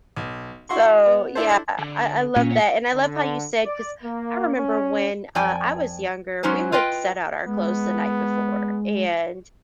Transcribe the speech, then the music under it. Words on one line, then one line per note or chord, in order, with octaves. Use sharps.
So, yeah, I I love that. And I love how you said, 'cause I remember when, uh, I was younger, we would set out our clothes the night before. And,
B1
E4 F#4 C6 C#6
B3
D4 E4 A4 C5
D3
A#2 C#4
C#5 F#5
D3
D5
A#3
C#4
F2 D5 G5 G#5
F#3 G#3 C#4 D#4 C5
F4 B4 D#5 G5
G#3 B3